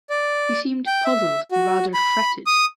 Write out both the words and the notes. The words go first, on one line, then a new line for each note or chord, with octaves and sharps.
He seemed puzzled and rather fretted.
D5
G5
E5
F#4
B5
D#6